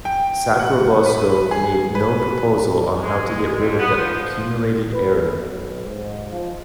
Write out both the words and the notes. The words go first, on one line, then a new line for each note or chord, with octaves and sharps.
Sacrobosco made no proposal on how to get rid of the accumulated error.
G5
F#5
B4
G#4
B4
G#3
F2
B3
F3
B4
B1
G#2
F3